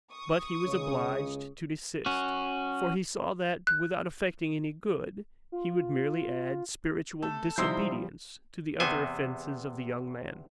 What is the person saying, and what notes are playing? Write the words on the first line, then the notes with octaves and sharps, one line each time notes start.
But he was obliged to desist; for he saw that, without effecting any good, he would merely add spiritual disobedience to the other offenses of the young man.
C#6 D#6
C#2 C#3 C#5
C#4 F#4
F#6
F4
A3 A4
C3 F3 G3 D#4 E4 C5 C6 E6
E2 C3 B3 C5 G#5